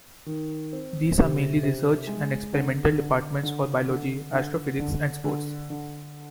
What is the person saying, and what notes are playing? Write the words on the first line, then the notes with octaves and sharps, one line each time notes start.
These are mainly research and experimental departments for Biology, Astrophysics and Sports.
D#3
C4
C3
C3
G#3
D3
D3
D3
D3
D3
D3
D3
D3